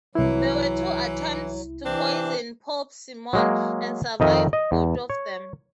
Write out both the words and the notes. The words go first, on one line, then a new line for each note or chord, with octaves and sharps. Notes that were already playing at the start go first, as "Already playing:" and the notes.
There were two attempts to poison Pope Simeon and he survived both of them.
C2 E3 F#3 E4
C3 E3 C4 D4
F#3 G#3 A#3
F2 D#3 D#5 E5
D#5
E2
C#5